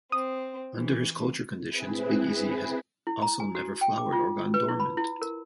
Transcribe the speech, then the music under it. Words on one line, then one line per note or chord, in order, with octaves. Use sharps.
Under his culture conditions, 'Big Easy' has also never flowered or gone dormant.
C4 D#6
E3
C4 E4 G#4 B4
E4
A#5
G#5
F#4
G5
D6
F4
B4
E4
B5
E4
A#4